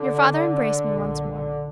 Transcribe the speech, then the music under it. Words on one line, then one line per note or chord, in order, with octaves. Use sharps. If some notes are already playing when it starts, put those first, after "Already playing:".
Your father embraced me once more.
Already playing: D3
B1 A#2